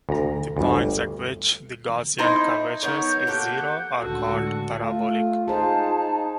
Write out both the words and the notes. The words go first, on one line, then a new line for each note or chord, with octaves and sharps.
The points at which the Gaussian curvature is zero are called "parabolic".
D2 A#5
G1 D2
D#4 E4 C5
B3 D#4 A#4 C#5 G6
A#3 G4 A4 F#5
C#2 A2 D3 F#4 A4
A3 F4
D#4 F4 G#4 C5 A5
D#4